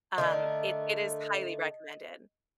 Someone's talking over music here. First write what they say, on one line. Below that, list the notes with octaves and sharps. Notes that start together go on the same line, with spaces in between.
Um, it it is highly recommended.
D3 A3 A#4 D#5